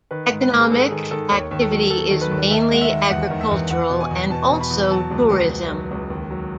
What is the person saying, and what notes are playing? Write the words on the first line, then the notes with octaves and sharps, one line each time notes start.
Economic activity is mainly agricultural and also tourism.
D#3 B4
G#2
B4
G#2
G#4
G#2 A4
D#3 G#4
D#3 A4
D#2 C#5
D#2
A4
F#3
D#2 A4
D#3
B4
D#2
D#3 E5
G#3 F#5
E5
D#3
E2 F#5
D#3
E5
E2
E2 F#5
B2
G#5
E2
B2 A5
B2
B5
E2
F#3 A5
C#2
C#2
C#2
F#3
C#2
D#2
F#3